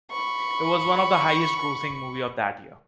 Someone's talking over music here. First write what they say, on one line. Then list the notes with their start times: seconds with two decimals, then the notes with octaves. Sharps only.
It was one of the highest-grossing movie of that year.
0.12 B5 C#6